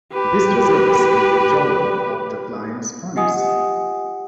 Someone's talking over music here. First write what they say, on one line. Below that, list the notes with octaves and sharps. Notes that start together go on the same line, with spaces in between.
This results in withdrawal of the clients' funds.
G4 B4
F4 G4 D#5 F#5 G#5 D#6